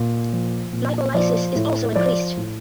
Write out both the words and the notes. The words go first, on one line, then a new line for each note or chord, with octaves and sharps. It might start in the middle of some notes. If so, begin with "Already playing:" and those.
Lipolysis is also increased.
Already playing: A#2
F3
A#2
F3 D5
A2
F3 D5
A2